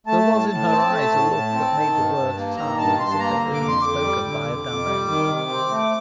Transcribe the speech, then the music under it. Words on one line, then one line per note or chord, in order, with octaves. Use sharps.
There was in her eyes a look that made the words sound as if they had been spoken by a dumb animal.
A3 A5
A2
A2 A5
C4
A3
A2
A2
C4
D#3
G2
G2
A#3
D#3 A#5
G2 A5
G2 C6
A5
A#3 A#5
D3
D6
F2
C6
F2 D6
G3
D3
F2
F2
G3
D#3
C3
C4
A3